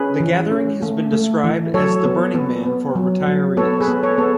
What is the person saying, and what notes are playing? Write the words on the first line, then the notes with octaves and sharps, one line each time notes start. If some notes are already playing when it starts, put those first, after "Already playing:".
The gathering has been described as the Burning Man for retirees.
Already playing: C#4 G#4 B4
E3
C#4
A3
A3
E3
F#3 A4 C#5
B3
B3
B3
F#3
F#3
B3 A4 C#5
G#4 B4
B3
A4 C#5
B3 A4